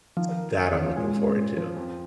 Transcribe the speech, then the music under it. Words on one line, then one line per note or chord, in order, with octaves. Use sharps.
So, that I'm looking forward to.
D#3 F3
A#4
C#5
D#3 C#4
F3
A#2 G#3
C#4
A#2
F3
F2